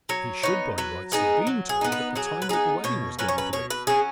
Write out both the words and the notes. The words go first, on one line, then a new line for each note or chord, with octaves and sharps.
He should by rights have been told at the time that the wedding was going to be.
F#3 C#5
B3 D#4 C#5
F#3 B4
B3 D#4 G#4
F#3
G#4
B3 D#4
B4
F#3 G#4
B4
B3 D#4 G#4
B2 C#5
F#3 C#4 B4
C#5
B4
B2 C#5
B4
F#3 C#4 G#4